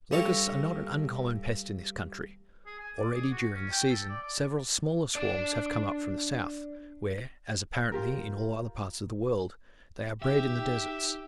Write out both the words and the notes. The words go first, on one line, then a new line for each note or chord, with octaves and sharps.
Locusts are not an uncommon pest in this country: already during the season, several smaller swarms had come up from the south, where, as apparently in all other parts of the world, they are bred in the deserts.
G2 G3 A4 C#5 A5 A#5
G#4
G#5
D5
G#4
F#4
C#4
G5
A4
D5
D5
D4 D5
F4 G4 A#4
D#4 G4 E5 G5